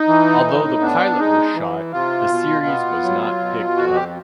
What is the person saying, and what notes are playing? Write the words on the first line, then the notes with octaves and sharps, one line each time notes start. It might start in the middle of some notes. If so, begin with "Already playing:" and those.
Although the pilot was shot, the series was not picked up.
Already playing: D#4
E3
A2
B3 D4
G#3 D#4
E3
C3 F4
B2
B3
F#3
B2
F2 F#4
G4